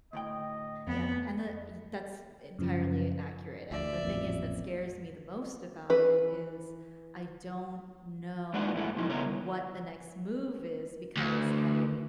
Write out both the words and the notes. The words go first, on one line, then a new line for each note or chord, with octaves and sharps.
Yeah, and the ye that's entirely accurate. And the thing is that scares me the most about it is I don't know what the next move is because I
D2 A2 D#5 G5
F2 B3
F#2 C#3 F3
D2 D5 E5
A1 F2 A#2
E3 B4
G#3 A#3 D4 D#4 F4 F#5
E2 G#2 G#3 A3 E4
B2 F3 G#3 D#4 E4
C#3 G3 B3 A#4 C#5
D2